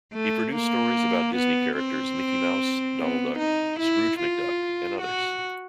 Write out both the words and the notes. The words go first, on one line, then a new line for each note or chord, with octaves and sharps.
He produced stories about Disney characters Mickey Mouse, Donald Duck, Scrooge McDuck and others.
A3
A#3
B3
C4
B3
D#4
E4
F4
F#4